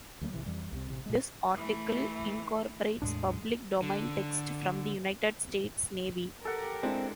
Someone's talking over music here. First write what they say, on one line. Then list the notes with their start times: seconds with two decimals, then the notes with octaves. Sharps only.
This article incorporates public domain text from the United States Navy.
0.21 D2 F#3 A3 A#3
0.33 A1 C3 E3
0.46 F2 E3 G3
0.72 C2 C3 C4
0.89 A1 C3
1.06 A#2 G#3
1.55 E3 A3
3.02 E2 A2 G#3 D4
3.82 D3
6.45 G4 A4 A#4 F#5
6.83 G#3 C4 D4 E4